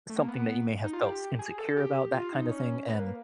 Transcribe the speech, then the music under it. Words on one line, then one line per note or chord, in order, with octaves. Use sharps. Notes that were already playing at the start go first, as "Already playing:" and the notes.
something that you may have felt s insecure about, that kinda thing," and
A3
A#3
B3
D#4
F4
G4
G#4
A4
G4
F4
D#4
C#4
B3
A#3